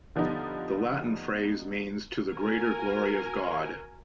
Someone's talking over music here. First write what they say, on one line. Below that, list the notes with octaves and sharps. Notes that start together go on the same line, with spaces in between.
The Latin phrase means 'To the greater glory of God'.
D3 F3 G3 B3 D#4
F#4 A#4 G#5